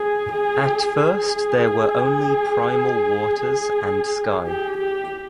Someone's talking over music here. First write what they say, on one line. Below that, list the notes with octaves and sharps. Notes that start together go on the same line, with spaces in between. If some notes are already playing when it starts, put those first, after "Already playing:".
At first there were only primal waters and Sky.
Already playing: G#4
G#4
G#4
G4
G4